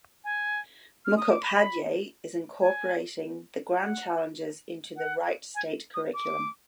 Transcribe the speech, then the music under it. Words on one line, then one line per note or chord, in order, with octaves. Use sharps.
Mukhopadhyay is incorporating the Grand Challenges into the Wright State curriculum.
G#5
F6
D#6
D6
B5
G#5
F#5
F#5
G#5
D#6
D6